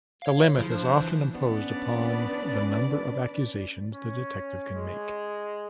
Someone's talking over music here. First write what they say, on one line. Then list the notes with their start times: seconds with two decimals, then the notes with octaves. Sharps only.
A limit is often imposed upon the number of accusations the detective can make.
0.22 C#5 F5
0.58 C#3 F3 E4
0.70 D4 C5
1.00 E3
1.34 B3 C#4 D4 B4 D5
3.93 C#4
4.75 G#3